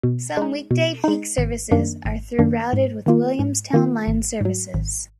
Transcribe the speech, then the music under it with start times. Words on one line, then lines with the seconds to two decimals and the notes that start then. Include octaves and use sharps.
Some weekday peak services are through-routed with Williamstown line services.
0.03 B2
0.37 G#3 D#4
0.71 B2
1.04 G#3 D#4
1.38 G#1
1.71 F#2 D#3 A#3 D4
2.05 G#1
2.39 F#2 D#3 A#3 D4
2.73 G#2
3.06 D#3 A#3 F4
3.39 G#2
3.73 D#3 A#3 F4
4.07 G#1
4.41 G#2 F#3
4.74 G#1